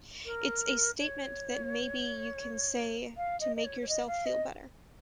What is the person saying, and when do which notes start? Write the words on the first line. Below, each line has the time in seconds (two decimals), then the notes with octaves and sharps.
It's a statement that maybe you can say to make yourself feel better.
0.26 A#4
0.98 C#5
3.17 F5
3.40 D#5
3.56 D#5
3.65 C#5
3.82 C#5
3.89 D#5
4.07 F5
4.26 D#5